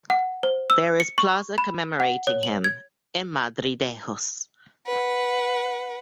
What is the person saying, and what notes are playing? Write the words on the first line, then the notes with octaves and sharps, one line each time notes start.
There is plaza commemorating him in Madridejos.
F#5
C5
E6
C#7
C#6
B5
F#5
C#5
F#7
G#6
B4 F#5